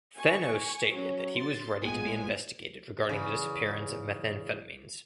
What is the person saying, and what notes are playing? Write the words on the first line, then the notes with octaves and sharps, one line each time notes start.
Thanos stated that he was ready to be investigated regarding the disappearance of methamphetamines.
G#5 C#6
F#3 C#4
C6 A6
A1 A#2 G#3 B3 G#5
E2 C#3